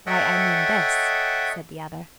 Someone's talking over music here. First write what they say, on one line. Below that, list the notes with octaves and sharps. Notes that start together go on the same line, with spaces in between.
"Why, I mean this," said the other.
A4 C#5 D#5 E5 F#5 G5